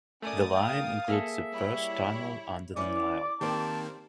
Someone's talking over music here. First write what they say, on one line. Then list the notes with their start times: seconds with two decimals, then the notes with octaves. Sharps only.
The line includes the first tunnel under the Nile.
0.22 A3 C#4 A#4 D5 D#6 A6
0.54 F5 G5
1.08 A#3 G#4 A4 E5
1.53 G3 E4 C#5
2.76 E3 C#4 E4 D5 D6
3.41 D#3 A#3 C4 G4 C5 D5 A5